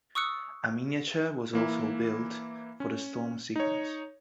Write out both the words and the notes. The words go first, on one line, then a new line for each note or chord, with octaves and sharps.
A miniature was also built for the storm sequence.
C#6 D#6 E6 F#6 C#7
E3 A#3 E4
C#4
D#4 C#5